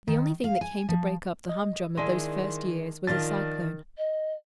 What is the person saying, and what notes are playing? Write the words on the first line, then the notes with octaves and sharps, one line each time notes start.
The only thing that came to break up the humdrum of those first years was a cyclone.
D#3
F5
G#5
F3
D#5
D#3 G#3 D4 E4 C6
D#3 F3 D4 F4 A6
D#5